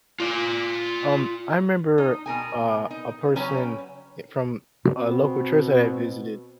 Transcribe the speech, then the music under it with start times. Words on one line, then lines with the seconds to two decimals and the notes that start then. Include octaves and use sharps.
um, I remember a a person er, from a local church that I visited.
0.20 F4 D5
1.98 D#4
2.26 B2 A#4 G#5
2.91 D#4
3.36 C#3 F#3 C#4 G4 B4
4.95 B2 C4